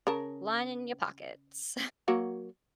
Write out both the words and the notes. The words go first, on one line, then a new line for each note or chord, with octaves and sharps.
lining your pockets.
C#3 A#4 A5
F#3 A#3 F#4